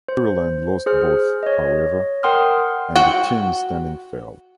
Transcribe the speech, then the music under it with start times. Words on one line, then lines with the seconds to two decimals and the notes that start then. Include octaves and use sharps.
Maryland lost both, however, and the team's standing fell.
0.08 C5
0.86 G#4 C5 F6
1.43 C#5 D#5
2.23 A#4 F#5 G5 C6 D#6 F6
2.96 F#4 F#5 G5